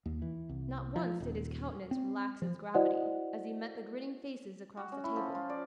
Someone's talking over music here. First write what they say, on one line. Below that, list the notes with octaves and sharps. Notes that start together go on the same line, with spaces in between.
Not once did his countenance relax its gravity, as he met the grinning faces across the table.
D#2
E3
C2
F3
D#1
C4
F3
E4 F#4 C5 D5 D#5 F#5
F#4
C#4
E4
F3
F4
D5